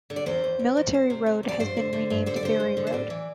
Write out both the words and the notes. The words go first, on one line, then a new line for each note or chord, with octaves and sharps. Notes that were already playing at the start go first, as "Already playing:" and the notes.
Military Road has been renamed Barry Road.
D3
D5
E2 C5
E2
E2
E2
E2 C5
C3
C3
E2
D5
G2 C5
D3
D3
G2
D3 C5
D5
D3 C5
G2
D3
C5
A2 D5
E3